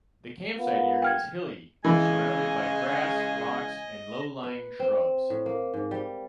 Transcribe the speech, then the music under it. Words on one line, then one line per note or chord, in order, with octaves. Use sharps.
The campsite area is hilly surround by grass, rocks and low lying shrubs.
A#3 B3 F4
G5 F6 G#6
C#3 E3 G#3 D#5 G#5
B4
C4
A2
A#3
G#2
G3